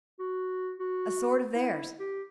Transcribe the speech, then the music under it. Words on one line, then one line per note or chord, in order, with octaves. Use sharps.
"A sword of theirs."
F#4
F#4
E4
G4